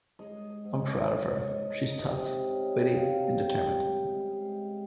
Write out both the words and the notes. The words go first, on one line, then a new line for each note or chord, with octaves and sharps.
"I'm proud of her; she's tough, witty and determined".
G#3 D#5
D#5
G#2
C#5
G#2 C#5
D#5
G#2
D#5
C3 D#5
C#4
G5
C3 F5
G3 G5
G#3
G#3